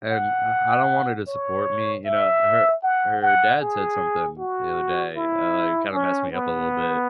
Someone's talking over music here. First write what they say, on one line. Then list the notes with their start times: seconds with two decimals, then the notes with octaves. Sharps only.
And I I don't want her to support me, you know? Her her dad said something the other day, uh, like, kinda messed me up a little bit,
0.11 F#5
1.28 C#5
2.05 E5
2.83 F#5
3.22 F#5
3.61 G#4
4.38 F#4
5.15 E4
5.93 C#4
6.32 B3